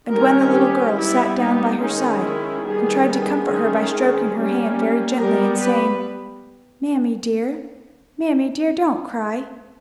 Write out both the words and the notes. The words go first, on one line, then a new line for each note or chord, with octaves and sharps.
And when the little girl sat down by her side, and tried to comfort her by stroking her hand very gently, and saying, 'Mammie dear, mammie dear, don't cry!
D#3 G3 C#4 A#4
G4
G3 E4
B3
D#4
D#3 G#3 C#4 D#4
E4
D#3 G3 B3 G#4
G#4
D#3 G#3 C#4
G3 A#3 C#4
G3 B3 A#4
B4